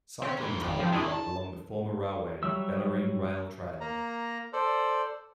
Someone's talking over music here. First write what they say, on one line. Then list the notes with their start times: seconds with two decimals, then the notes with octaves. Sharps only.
Cycling is popular along the former railway - Bellarine Rail Trail.
0.22 C4 C#4
0.38 A#2 E3
0.61 G#1 F2 B3 G4
0.80 C3 F3
0.93 C3 D#3 D4 E4 G#4
1.11 A5
2.43 F#3 G3 E5 E6
3.81 A#3 A#5
4.53 A4 C5 D5